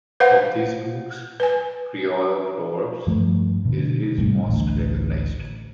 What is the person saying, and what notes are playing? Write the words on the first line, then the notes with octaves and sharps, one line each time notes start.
Of these books, "Creole Proverbs" is his most recognized.
B4 C5 F5 F#5
B4 G#5
G2 F3 A3
B2 D3
A2 C3 G3 A3
A1 D2